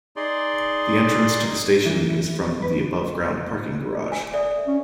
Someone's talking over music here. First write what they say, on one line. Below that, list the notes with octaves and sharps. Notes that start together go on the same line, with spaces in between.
The entrance to the station is from the above ground parking garage.
D#4 G#4 D5 C6
E3
B4
G#5
A4 D5 E5
C#4